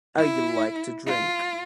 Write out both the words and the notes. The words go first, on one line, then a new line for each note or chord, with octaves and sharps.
I like to drink.
E4
F4